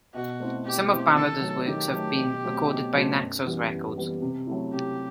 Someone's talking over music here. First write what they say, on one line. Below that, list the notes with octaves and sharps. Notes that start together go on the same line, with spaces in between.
Some of Balada's works have been recorded by Naxos Records.
B2 F#4
A3 C4 E4
B2 G4
A3 C4 E4
D#3 A4
F#3 A3
D#3 G4
F#3 A3
B2
F#3 A3 C4 F#4
B2
F#3 A3 C4 F#4
F#2
E3 G3 B3
F#2
E3 G3 B3
C3
F#3 A3 E4
C3 G4